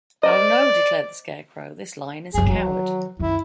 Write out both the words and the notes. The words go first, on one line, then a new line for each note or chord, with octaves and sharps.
"Oh, no;" declared the Scarecrow; "this Lion is a coward."
A#4 C5 D5 D#5
F#1 F#2 G#4
D#3 E3 F#3
F#2 D#3 E4